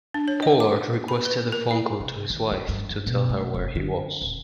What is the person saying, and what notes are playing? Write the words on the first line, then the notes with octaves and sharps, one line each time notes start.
Pollard requested a phone call to his wife to tell her where he was.
D4
C#5
D#5
D6
B5
B4
A#4
E4
C3
D#3
D#4
G2
G2
B2
A3
F1
D3
D#1